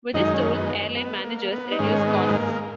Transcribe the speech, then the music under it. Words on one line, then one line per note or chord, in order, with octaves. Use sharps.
With this tool, airline managers reduce costs.
F#2 D#3 G#3 D#4
C#4
B3
B3
A#3
B3
D#4
G#2 D#3 G#3 C#4
B3
A#3